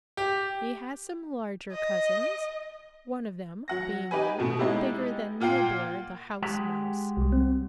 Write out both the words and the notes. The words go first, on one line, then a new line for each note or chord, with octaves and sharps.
He has some larger cousins, one of them being a little bigger than Nibbler the House Mouse.
G4
D#5
F#3 F#5 A#6
D#4 G4 B4 G#5
B2 A3
G#3 B3 D#4 E4 G4
A#2 F4 F#5 G5 C7
G#3 G4 F#5
C2 G3
C4